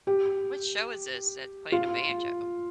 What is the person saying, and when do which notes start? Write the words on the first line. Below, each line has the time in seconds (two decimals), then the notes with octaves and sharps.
Which show is this that's playing a banjo?
0.07 G4
1.72 F4